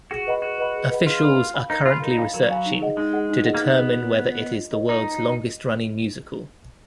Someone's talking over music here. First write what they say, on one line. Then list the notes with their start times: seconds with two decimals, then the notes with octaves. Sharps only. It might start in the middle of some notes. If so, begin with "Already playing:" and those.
Officials are currently researching to determine whether it is the world's longest running musical.
0.11 F#4 G#4
0.27 B4 D#5 F#5 B5
0.42 F#4 G#4
0.58 B4 D#5 F#5 B5
0.74 G#4
0.90 B4 D#5 F#5 B5
1.06 F4 G#4
1.23 B4 D#5 F#5 B5
1.38 A#4
1.54 F5 G#5 B5
1.70 D#4 A#4
1.86 F4 F5 G#5 B5
2.02 D#4 A#4
2.18 F5 G#5 B5
2.34 F#3 A#4
2.50 F5 G#5 B5
2.66 D#4
2.81 G#4 D#5 F#5
2.97 G#3 D#4
3.13 G#4 D#5 F#5
3.29 D#4
3.45 G#4 D#5 F#5
3.55 A#3
3.61 B3 D#4
3.77 G#4 D#5 F#5
3.93 F4
4.09 A#4 D#5
4.25 F4
4.40 A#4 D#5
4.56 F4
4.73 A#4 D#5
4.89 D#4 F4